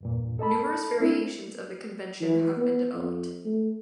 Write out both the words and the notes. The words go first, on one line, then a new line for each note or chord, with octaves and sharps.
Numerous variations of the convention have been developed.
E2 G2 A#2
A4 D#5 A5 B5
C4 D4 E4
E3
B3
F2
A3